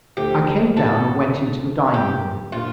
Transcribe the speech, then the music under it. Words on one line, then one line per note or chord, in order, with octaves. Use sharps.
I came down and went into the dining room.
D2 D3 F3 C4 G4
A4
G4
A#2 F3 A#3 D4 F4 G4